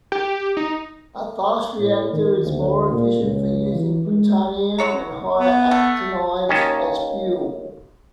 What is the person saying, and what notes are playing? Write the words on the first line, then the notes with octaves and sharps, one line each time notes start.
A fast reactor is more efficient for using plutonium and higher actinides as fuel.
G4
D#4
A2
D#3
D2
A#2
C#2
E3
G#3
F#3 C#5 A#5
B3
A3
D#2 C#4 D#5 A5